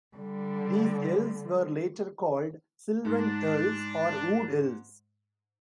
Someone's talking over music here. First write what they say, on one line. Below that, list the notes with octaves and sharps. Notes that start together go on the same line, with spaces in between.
These Elves were later called Silvan Elves or Wood-elves.
D3 G3
G#2 D4